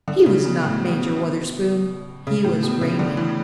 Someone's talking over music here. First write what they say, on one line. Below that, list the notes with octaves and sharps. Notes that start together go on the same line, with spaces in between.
He was not Major Wutherspoon; he was Raymie.
D3
C#3
B2
A2
B2
B2
C#3
A2
B2
C#3
D3
E3